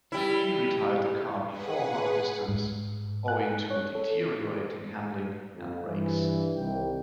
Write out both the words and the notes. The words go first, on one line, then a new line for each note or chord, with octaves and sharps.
He retired the car before half distance owing to deteriorating handling and brakes.
G3 E4
G#4 B4 F#5
G#2
F#6
C#5
A4
F2
G2 E3
C2 D#3 G5